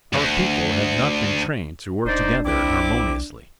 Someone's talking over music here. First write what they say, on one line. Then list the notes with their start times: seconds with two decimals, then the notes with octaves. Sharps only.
Our people have not been trained to work together harmoniously.
0.13 D2 G2
2.05 E1 D4 D#4 C5 D5
2.44 B1 C4 E4 D6